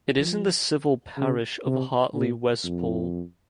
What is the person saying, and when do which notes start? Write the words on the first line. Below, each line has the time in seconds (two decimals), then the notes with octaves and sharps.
It is in the civil parish of Hartley Wespall.
0.20 F3
1.18 C#3
1.66 C3
2.14 A#2
2.64 F2